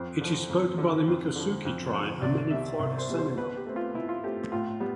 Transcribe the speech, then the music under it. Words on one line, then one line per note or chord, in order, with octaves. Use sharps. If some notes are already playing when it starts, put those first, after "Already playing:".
It is spoken by the Miccosukee tribe and many Florida Seminole.
Already playing: F2 C5
D3 F3
F2
D3 F3
F2 C5
D3 F3
F2
D3 F3
C2 D5
B2 G3 E5
C2
C5
B2 G3
C5
B2 B4
G4
A3 C4
F4
B2 E4
F4
A3 C4 G4
A2 F4
G3 B3